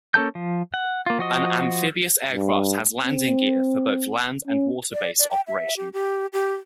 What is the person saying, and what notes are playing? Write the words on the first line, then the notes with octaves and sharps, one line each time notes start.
An amphibious aircraft has landing gear for both land and water-based operation.
A#3 C#4 A4 A5 G6
F3
F#5
A#3 F4
F3 F#4 D#5
G2
C4
C#4
D5
D5
G5
E5
G4
G4
G4